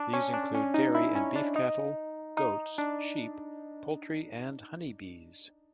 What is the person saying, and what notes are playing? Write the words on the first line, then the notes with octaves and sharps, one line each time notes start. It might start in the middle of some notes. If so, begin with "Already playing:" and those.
These include dairy and beef cattle, goats, sheep, poultry and honey bees.
Already playing: D4
C#4
D4
C#4
D#4
E4
C#4
D4
D#4
D#4
D4